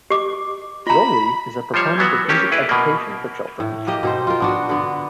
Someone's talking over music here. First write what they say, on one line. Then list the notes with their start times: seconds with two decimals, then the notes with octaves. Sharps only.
Rolie is a proponent of music education for children.
0.10 G4 D6
0.87 F4 A#5 B5
1.74 F3 G3 C5 C#5
1.98 E3 F#3 B3 F#4
2.29 A#3 C#4 G4 A4
2.52 E4 G#4 B4 D5
2.69 B2 A#3
3.60 A2
3.87 A#3 G4 D#5
4.03 B2 D#4 C5
4.27 F4 A#4
4.40 B3 D4 F#4
4.69 D3 B3